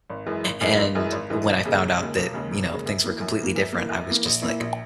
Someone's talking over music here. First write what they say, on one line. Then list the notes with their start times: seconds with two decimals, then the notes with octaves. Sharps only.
and when I found out that, you know, things were completely different, I was, just, like,
0.10 G#1
0.26 F#2 E3 G#3
0.44 G#1
0.61 F#2 E3 G#3
0.78 G#1
0.95 F#2 E3 G#3
1.12 G#1
1.30 F#2 E3 G#3
1.47 E1
1.65 D#2 C#3 G#3
1.82 E1
2.00 D#2 C#3 G#3
2.17 E1
2.34 D#2 C#3 G#3
2.51 E1
2.70 D#2 C#3 G#3
2.86 F#2
3.04 E3 A#3
3.21 F#2
3.39 E3 A#3
3.56 F#2
3.73 E3 A#3
3.90 F#2
4.07 E3 A#3
4.25 A#1
4.42 A#2 A#3 E4
4.60 A#1